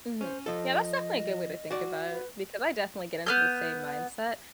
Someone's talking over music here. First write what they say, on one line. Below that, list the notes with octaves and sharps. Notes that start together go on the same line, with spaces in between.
Mhm. Yeah, that's definitely a good way to think about it, because I definitely get into the same mindset.
C#4 C5
F3 A4 D#5
F#4 D5
B4
B3 F6 G6